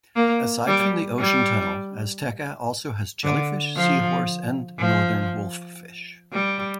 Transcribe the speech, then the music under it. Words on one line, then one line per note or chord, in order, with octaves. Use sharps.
Aside from the Ocean Tunnel, Azteca also has jellyfish, seahorse and northern wolffish.
A#3
G3
G3
D3
F3
F3
G3